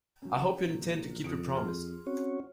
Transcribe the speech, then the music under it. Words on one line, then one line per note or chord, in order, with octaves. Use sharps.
I hope you intend to keep your promise.
F#3 C#4
A#1 F#3
F2 D#6 C#7 D7
G#4 C6 F6
C4 C#4 F#4 C#5